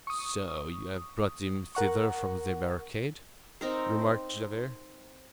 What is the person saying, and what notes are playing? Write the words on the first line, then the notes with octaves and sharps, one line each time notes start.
"So you have brought him thither from the barricade?" remarked Javert.
C#6 D#6
A#4 F#5 C#6
C4 D#4 A#4